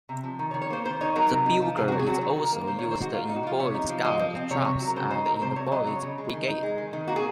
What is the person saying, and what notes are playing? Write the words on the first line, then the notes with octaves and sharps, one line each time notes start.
The bugle is also used in Boy Scout troops and in the Boys' Brigade.
C3
F3
D#3
C#5
D#3
C#5
A#3 C5
D#3 C5
D#4 C#5
F#3 A#4
C3
D#4
F3
C3 G#4
F#4
C3
G#4
F#3 F#4
D#3
D#3
A#4
A#3
D#3 C5
C#5
D#3
C5
G#3 F#4
A#2 F4
D#4
F#4
F3 F4
C3 C#5
D#4
F3
F3 D#5
F3
C4
C3 C#5
C3
F#3
A#4
C#3 C5
D#4 C5
F#3 A#4
C3 C5
C3 C#5
F#3 D#5
C#3 C#5
C#3
G#3
D#3
D#4
G#3
D#3
D#3
A#3 F#4
G#4